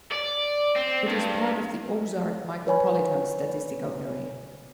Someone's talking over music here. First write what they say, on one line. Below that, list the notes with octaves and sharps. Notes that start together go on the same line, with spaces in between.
It is part of the Ozark Micropolitan Statistical Area.
D5
C4
G2
B4 C#5 G#5 B5